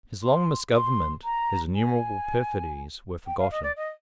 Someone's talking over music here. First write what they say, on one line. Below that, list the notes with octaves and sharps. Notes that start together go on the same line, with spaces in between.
His long misgovernment, his innumerable perfidies, were forgotten.
C6
C6
A#5
G#5
G5
F5
D#5
D5
D#5